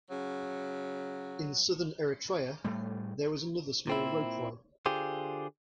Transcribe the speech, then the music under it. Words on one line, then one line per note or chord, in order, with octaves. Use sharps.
In southern Eritrea there was another small ropeway.
C#3 F#3
A2 G3 A3
A#2 C4 E4
D3 F4 G4 G#4 C5